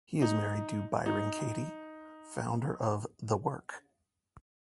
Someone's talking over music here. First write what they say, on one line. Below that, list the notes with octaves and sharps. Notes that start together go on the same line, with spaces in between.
He is married to Byron Katie, founder of The Work.
D#4
D#4